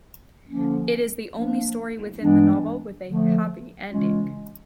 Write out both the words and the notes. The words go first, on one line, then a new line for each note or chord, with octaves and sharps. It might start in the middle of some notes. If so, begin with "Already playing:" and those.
It is the only story within the novel with a "happy ending".
D3 F3 A#3 C#4
F3 A#3 D4
G2 E3 G#3 B3 D4
D3 F3 A3
C#3 E3 G#3 C#4 F4